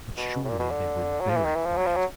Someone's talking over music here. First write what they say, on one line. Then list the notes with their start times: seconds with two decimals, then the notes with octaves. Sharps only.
But surely they were very quiet!
0.17 B2
0.45 A2
0.49 A#2
0.59 B2
0.70 D3
1.20 F#3
1.28 F3
1.36 E3
1.45 D#3
1.55 E3
1.66 F3
1.76 F#3
1.86 F3
1.96 F#3